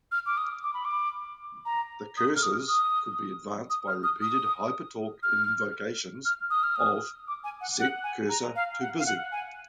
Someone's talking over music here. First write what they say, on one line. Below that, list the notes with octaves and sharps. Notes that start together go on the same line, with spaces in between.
The cursors could be advanced by repeated HyperTalk invocations of "set cursor to busy".
F6
D6
D#6
D6
B5
D6
A#5
D#6
F6
D#6
D#6
D#6
F6
D#6
D#6
F6
F6
D#6
F6
D#6
D6
G#5
F#5
F#5
G#5
A#5
F5
F#5
F5
F#5
G#5